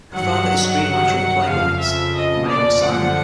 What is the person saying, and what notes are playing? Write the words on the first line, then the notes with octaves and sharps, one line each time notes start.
Her father is screenwriter and playwright Mayo Simon.
G2 D#3 F#3 F#5
F2 C#3 F3 F5
E5
D#5
D5
F#2 D3 F3 F#5